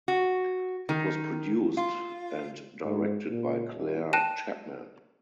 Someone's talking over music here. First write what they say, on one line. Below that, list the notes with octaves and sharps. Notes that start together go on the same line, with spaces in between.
It was produced and directed by Clare Chapman.
F#4
D#3
F4
G#2
A#2
D#1
G5 A5 F#6 A#6 D#7 E7